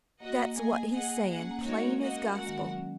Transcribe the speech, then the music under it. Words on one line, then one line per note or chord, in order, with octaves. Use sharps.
That's what he's saying, plain as gospel!
A#3 F#4 D#5 F#5
A#3
A#3 G#4 D#5 G#5
G#4 D#5 F#5
A#3 G#4 F#5
C#4
A#3
G#3 D#4 F#4 A#4 C#5
A#3
C#4
A#3 F#4 D#5 F#5
G#3 F#4 A#4 F#5
D#3
F#3
C#4